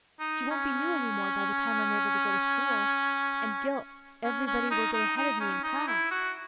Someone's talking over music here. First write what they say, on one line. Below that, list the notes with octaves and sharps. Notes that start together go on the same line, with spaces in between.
She won't be new any more by the time I'm able to go to school. And Gil--everybody will get ahead of me in class.
D#4
C#4
C#4
C#4
D#4
D#4
D#4
C#4
D#4
E4
F#4